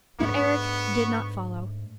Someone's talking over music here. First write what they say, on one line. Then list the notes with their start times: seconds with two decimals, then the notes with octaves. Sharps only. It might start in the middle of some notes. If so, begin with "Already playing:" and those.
But Eric did not follow.
0.21 G#2 A3 B3 D4 C#6